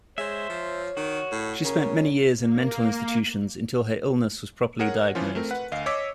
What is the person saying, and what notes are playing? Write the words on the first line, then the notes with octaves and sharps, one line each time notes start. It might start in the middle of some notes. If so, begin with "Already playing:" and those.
She spent many years in mental institutions until her illness was properly diagnosed.
G#3 C5 C#5 E5
F3
D#3 F#4
A2
C#3 A#4
A#3
G#4 A#4 C#5 F#5
E3 F3 C#4 F4
A3 C4 A#4
B4 F#5
D2 D#5 F5 C7
C#5 D#5 D6 E6 B6 C#7